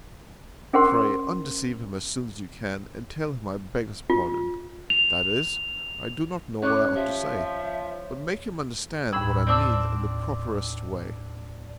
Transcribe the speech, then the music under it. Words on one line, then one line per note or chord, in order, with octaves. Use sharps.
Pray undeceive him as soon as you can, and tell him I beg his pardon--that is--I do not know what I ought to say--but make him understand what I mean, in the properest way.
C#4 G#4 A#4 C5 F#5 C6
F4
F7
C#4 C#5 C#6 D6 F#6
F3 G4 E5
D#2 A2 B5 E6 G#6
C4 D4 D5 A5 E6